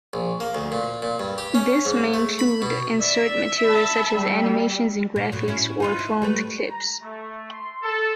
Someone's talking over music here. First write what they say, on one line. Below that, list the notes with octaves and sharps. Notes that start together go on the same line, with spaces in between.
This may include insert material such as animations and graphics or filmed clips.
A#1
A#3
D2
A#2
A#2
G2
G4
C#4
G#2
A3
B5
B2
D5 E5
A5 B5
G3
A#2
A2 F#3
C#4 E4
D#4 F4 B4
E4
G3 A3 B4
A#5
A3
C6
A4